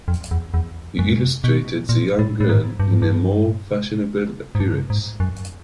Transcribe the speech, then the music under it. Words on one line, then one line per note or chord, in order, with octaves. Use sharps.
He illustrated the young girl in a more fashionable appearance.
F2
E2
E2
F#2
B2
A#2
A2
A2
G#2
G2
G#2
G2
G#2
G2
G#2
F#2